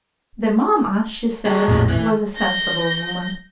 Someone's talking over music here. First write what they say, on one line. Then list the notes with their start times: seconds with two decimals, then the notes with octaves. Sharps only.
The mamma, she said, was a sensible woman.
1.46 F#3 G#3
1.68 A#1 F2 A2
1.89 E3
2.36 G6 A#6